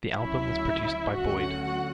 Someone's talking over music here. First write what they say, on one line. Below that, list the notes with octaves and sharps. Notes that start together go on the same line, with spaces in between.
The album was produced by Boyd.
D2 C#3 F#3 C#4 E4 E5
D2 D3 F#3 A3 C#4 F#4 F#5